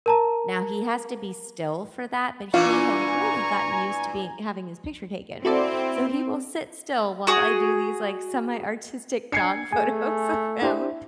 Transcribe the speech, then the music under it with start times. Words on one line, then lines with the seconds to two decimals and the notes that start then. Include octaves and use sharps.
now, he has to be still for that, but he has really gotten used to being having his picture taken, so he will sit still while I do these, like, semi-artistic dog photos of him
0.06 A#4 A5 A#5
2.54 A#2 E3 D4 F4 G#5 A#5 C#6
5.45 C4 E4 F#4 A4 D5
7.27 F#4 G#4
9.32 D4 G#5 G#6 C7 C#7
9.72 A3 G#4 G#5
10.62 D4 E4 G4 C5